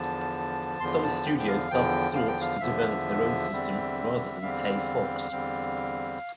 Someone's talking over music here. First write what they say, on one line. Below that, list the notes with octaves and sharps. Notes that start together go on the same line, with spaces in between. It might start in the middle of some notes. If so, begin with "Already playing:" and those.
Some studios thus sought to develop their own system rather than pay Fox.
Already playing: E2 D3 F3 A5
E2 D3 F3 C6
A5
G5
G5
F5
E2 D3 F3 G5
F5
G5
F5
E2 D3 F3 E5
E2 D3 G3 C4
E2 D3 G3 C4 F5
E2 D3 G3 C4